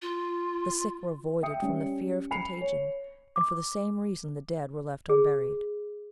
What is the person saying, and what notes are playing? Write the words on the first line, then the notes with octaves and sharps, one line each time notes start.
The sick were avoided from the fear of contagion, and for the same reason the dead were left unburied.
F4
E5 G5 D#6 C#7
G3 C#4
G#5 B5 C7 C#7 F7
C#5
D6
G#4